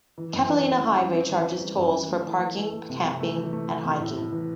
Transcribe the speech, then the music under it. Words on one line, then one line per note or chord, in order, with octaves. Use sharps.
Catalina Highway charges tolls for parking, camping, and hiking.
E3
F#2
E3
C4
E3
G3
C4
E3
E3
G3
F#2
E3
A3
E3
A3
A3
A3
C3
C3
A3
E3
A3
E3
C3
A2
A2
E3